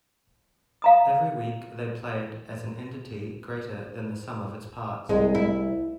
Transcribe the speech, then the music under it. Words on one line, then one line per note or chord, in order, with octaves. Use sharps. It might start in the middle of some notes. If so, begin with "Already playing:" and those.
Every week, they played as an entity greater than the sum of its parts.
F5 A#5 D#6
C2 G#3
E4